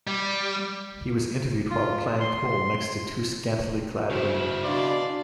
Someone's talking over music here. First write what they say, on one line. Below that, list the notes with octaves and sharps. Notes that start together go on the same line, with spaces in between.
He was interviewed while playing pool next to two scantily clad women.
G3
F4
C6
C#3 E4 F#4 C5 F6
B2 D4 F#4 D5 F5 C6